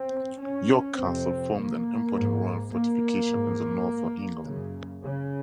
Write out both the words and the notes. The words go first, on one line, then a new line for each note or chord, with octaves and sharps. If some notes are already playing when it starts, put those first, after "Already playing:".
York Castle formed an important royal fortification in the north of England.
Already playing: C4
C#4
F2 C3 C4
A#3
G#2
A#3
G#2
F#2 C#3
C#3